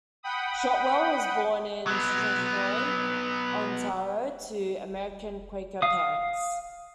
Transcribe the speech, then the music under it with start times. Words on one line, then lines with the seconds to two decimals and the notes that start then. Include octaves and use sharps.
Shotwell was born in Strathroy, Ontario, to American Quaker parents.
0.23 F#5 G5 B5 D#6
1.87 F#3 B3
5.82 F5 D#6